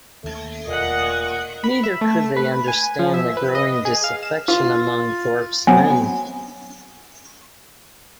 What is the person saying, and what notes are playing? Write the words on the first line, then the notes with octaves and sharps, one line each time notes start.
Neither could they understand the growing disaffection among Thorpe's men.
D#2 A3
E1 A#2 D#5 F#5
B5
E5
A3
B4
G#5
F3
E5
B4
D#5
G#4
F5
E7
F4
F#3 B3 C4 G#5